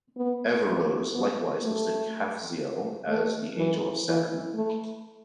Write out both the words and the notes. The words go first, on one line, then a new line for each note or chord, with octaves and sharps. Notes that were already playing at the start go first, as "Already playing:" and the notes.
Averroes likewise listed Kafziel as the angel of Saturn.
B3
A3
B3
A3
A3
E3
E3
A3